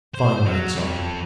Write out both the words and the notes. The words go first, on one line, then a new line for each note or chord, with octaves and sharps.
'Fine night, sergeant.'
C5
F#3
F2